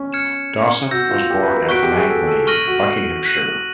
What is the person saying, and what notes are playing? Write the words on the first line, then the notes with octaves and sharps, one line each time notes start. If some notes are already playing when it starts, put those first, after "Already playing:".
Dawson was born at Langley, Buckinghamshire.
Already playing: C#4
F6 G#6 C#7 E7
F#4 E6 G6 A#6
F4
G4
B4
A#4
F#4 C#6 F#6 B6 D7
G4
G#4
A4
A4
C#6 F6 A#6 D#7 F#7
F#4
F#6 A#6 D#7 F#7